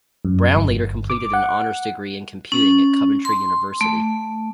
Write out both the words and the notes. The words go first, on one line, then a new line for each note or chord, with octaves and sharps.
Brown later completed an honours degree in computing at Coventry University.
F#2
G1
D6
F#5
C#4
C6
A3